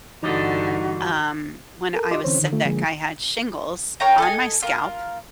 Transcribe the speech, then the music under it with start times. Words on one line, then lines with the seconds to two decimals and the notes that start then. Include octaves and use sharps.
um, when I was sick. I had shingles on my scalp,
0.23 G2 D3 E3 G3 D#4 F#4 D#5
1.94 A4 A#4
2.11 F4 G4 D#5 C6 D6
2.24 D3 E3 C4 C#4 C5 C#5
2.38 D3 D#3
2.53 D3 A3 F4
2.65 D3 F3 G#3 A#3 G#4
4.00 A#4 C#5 G5 A#5
4.18 A4 D#5 G#5
4.63 F4 A#4